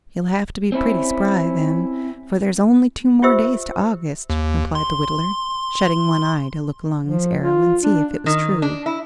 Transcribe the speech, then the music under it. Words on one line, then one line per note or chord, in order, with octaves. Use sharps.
"You'll have to be pretty spry, then, for there's only two more days to August," replied the whittler, shutting one eye to look along his arrow and see if it was true.
C4 C#4 E4
F4 G4 C5 E5 E6
D#2
C6
F3
F4
D4
D#3
D4
E4